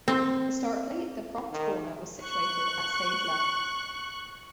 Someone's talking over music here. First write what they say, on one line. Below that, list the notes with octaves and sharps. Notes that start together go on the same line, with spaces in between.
Historically, the prompt corner was situated at stage left.
C4
D#3
C#6 F#6